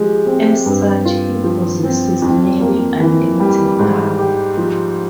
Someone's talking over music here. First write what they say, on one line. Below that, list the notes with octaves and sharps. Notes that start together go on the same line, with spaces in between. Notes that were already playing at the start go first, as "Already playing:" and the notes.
As such, he possesses nearly unlimited power.
Already playing: F3 G#3 G4
C4
G2
F4
F3
C4
F2
A#3
E3
G3
G#2
G4
F3